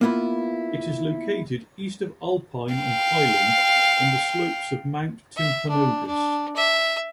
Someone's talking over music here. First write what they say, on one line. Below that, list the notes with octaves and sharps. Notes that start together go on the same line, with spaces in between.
It is located east of Alpine and Highland on the slopes of Mount Timpanogos.
A#3 B3 E4 F4 B4
F5 G5
E5
D4
D4
E5